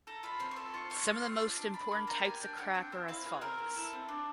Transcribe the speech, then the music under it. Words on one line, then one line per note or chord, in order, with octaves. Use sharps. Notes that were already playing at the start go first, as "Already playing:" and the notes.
Some of the most important types of crack are as follows.
A4 A#5
F4 B5
C4 C6
C#6
A4 C6
F4 C#6
C4 C#6
F4 C6
C4 C6
D4 C6
D4
D4 B5
A#3
D4 A#5
G4 G#5
D4 G5
D4 F#5
C4 G5
C4
E4 F5
G#4 B4
C4 A#4
E4
E4 A4
C4
D4